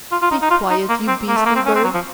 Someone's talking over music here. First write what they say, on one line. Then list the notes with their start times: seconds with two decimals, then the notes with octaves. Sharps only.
"Be quiet, you beastly bird!"
0.12 F4
0.22 F4
0.31 D#4
0.42 D#4
0.50 F4
0.70 D#4
0.89 A#3
1.08 C4
1.28 A#3
1.36 A3
1.46 A#3
1.56 C4
1.66 C#4
1.75 C4
1.84 F#3
1.94 F3